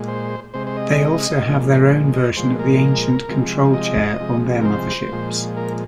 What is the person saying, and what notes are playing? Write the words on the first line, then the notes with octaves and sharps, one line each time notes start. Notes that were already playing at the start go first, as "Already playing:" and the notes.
They also have their own version of the Ancient control chair on their motherships.
Already playing: A#2 G#3
C5
C3 G#3 C5
C5
D#5
A#2 F3 G#3
D#5
A#2 F3 G#3 C5
A#4
C3 F3 G#3
D#5
C3 F3 G#3
A#4
C5
A#2 F3 G#3
A#4